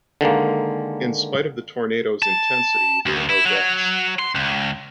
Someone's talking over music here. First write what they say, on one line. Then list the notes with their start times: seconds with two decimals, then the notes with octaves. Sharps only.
In spite of the tornado's intensity, there were no deaths.
0.21 D3 D#3 G#3 A#3
2.22 A5
3.06 D2
3.30 E4
3.46 F#3
4.19 C6
4.35 C#2